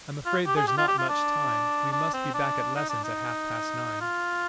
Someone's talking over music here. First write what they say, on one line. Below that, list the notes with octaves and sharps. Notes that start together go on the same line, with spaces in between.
"I'm afraid there's not much time; we must be back at lessons at half-past nine."
F4
G4
G#4
G4
F4
G4
F4
D4
D4
C4
D4
D#4
D4
D#4
F4